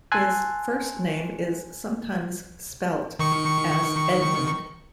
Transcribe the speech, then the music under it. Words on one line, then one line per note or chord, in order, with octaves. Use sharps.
His first name is sometimes spelt as Edmond.
G#5 A5 C6 E6 F#6
D#3 C#6 C#7